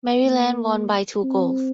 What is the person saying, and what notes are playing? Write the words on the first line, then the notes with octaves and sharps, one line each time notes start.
Maryland won by two goals.
A#3
C4